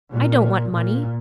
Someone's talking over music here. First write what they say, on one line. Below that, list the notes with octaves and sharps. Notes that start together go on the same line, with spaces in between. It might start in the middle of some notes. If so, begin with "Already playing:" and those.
I don't want money.
A#2
A#2